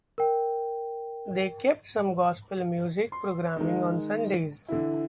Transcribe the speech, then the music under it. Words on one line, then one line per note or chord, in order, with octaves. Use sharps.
They kept some Gospel music programming on Sundays.
A#4 G5
C6
D#3 G#3
D3 E3 E4